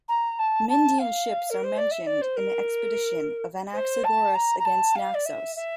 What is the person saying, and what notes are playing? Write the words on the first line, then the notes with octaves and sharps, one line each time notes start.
Myndian ships are mentioned in the expedition of Anaxagoras against Naxos.
A#5
A5
A5
F5
A#4
C5
D5
E5
D5
C5
A#4
C5
A5
A#5
A#5
A5
F5
D5
E5
E5